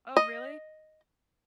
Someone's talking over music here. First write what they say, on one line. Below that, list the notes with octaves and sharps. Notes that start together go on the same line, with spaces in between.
Oh, really?
D#5